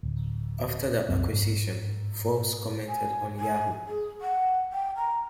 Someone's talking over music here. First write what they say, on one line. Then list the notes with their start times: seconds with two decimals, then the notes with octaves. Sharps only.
After the acquisition, Forbes commented on Yahoo!
0.03 D1
1.09 C2 F#2 C4
1.33 G#2
2.87 G#5
3.39 G#5
3.86 G#4
4.21 F#5
4.72 G5
4.96 A#5